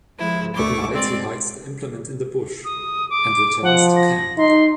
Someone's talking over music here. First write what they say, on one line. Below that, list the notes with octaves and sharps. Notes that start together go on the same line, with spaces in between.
At night he hides the implement in the bush and returns to camp.
F3 G#3 E4
D2 A3 C#6 D6
G#3 C4 D5
D#6
D6
F3 F#5
A#6
D#4 C6